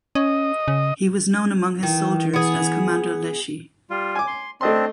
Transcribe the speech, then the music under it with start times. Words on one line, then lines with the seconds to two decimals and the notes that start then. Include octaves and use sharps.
He was known among his soldiers as Commander Lleshi.
0.15 C#4 D#5
0.68 C#3
1.83 D#3 E3
2.33 B3 G#4
3.90 G3 F4
4.15 G#5 D6
4.27 C6
4.61 A3 C4 D4 D#5 C6